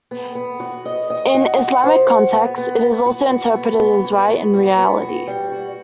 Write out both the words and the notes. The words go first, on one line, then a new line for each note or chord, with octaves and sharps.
In Islamic contexts, it is also interpreted as right and reality.
B3
B3
F#4
D#5
D#5
F#4
F#4
C5
F#4
B3
B3
B3
F#4
F#4
B3
B3
F#4
B3
F#4
B3
F#4
G3
F#4